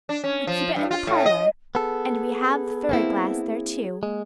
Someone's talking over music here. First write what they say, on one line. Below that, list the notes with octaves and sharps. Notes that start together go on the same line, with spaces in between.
We keep it in the parlor and we have the fairy glass there, too.
D4
C#4
F3
G2
F4
A2
D#5
B3 G#4 A4
A#3 C4 E4
G#3 A#3